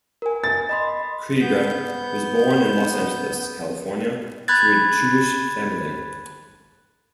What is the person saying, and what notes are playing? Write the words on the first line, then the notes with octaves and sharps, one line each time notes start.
Krieger was born in Los Angeles, California to a Jewish family.
A#4 G#5
A6
D#5 B5 C6
B3 G6
B5 F#6 G#6 A6